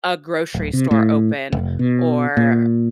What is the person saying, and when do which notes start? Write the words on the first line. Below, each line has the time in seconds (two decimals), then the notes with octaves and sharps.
a grocery store open or
0.54 D1
0.73 C3
0.91 A2
1.52 F1
1.79 B2
2.37 A#2